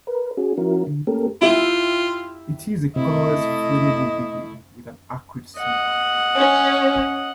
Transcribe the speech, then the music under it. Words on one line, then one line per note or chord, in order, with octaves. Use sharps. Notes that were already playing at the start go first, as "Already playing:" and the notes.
It is a colourless flammable liquid with an acrid smell.
A#4 B4
C#4 F#4 G#4
F3 C#4 E4 F#4 A#4
D3
A3 A#3 C#4 G4 A4 A#4
E4 F4 G4 E5
C3 A3 E4 D#5
D#5 F#5
C#4